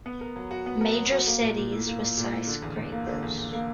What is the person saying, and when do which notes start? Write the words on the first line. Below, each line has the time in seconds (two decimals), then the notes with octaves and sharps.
Major cities with skyscrapers.
0.06 B3
0.21 A#4
0.36 F#3
0.51 F#4
0.66 B3
0.81 A#4
0.96 F#3
1.12 F#4
1.27 A#3
1.41 A#2
1.57 A#2
1.72 E4
1.87 A#3
2.02 A#2
2.17 A#2
2.32 E4
2.47 D3
2.62 E2
2.77 E2
2.92 A#3
3.07 D3
3.23 E2
3.38 E2
3.53 A#3